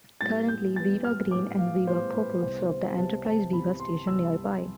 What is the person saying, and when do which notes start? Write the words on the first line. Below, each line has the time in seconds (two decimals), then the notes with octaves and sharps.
Currently, Viva Green and Viva Purple serve the Enterprise vivastation nearby.
0.21 A2 G3 B3 A6
0.48 G6
0.76 A2 G3 B3 A6
1.04 F6
1.31 A2 G3 B3 D6
1.59 F5
1.86 A2 G3 B3 C5
2.15 B4
2.42 C2 C3 G3 B3 C5
2.70 C5
2.97 C2 C3 G3 B3 A5
3.25 A5
3.53 C2 C3 G3 B3 B5
3.80 C6
4.07 C2 C3 G3 B3 E6